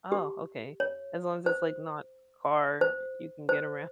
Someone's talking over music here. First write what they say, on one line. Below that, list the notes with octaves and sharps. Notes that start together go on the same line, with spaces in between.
Oh, okay. As long as it's like not car, you can get around.
G4
C#5
C5
C5
C5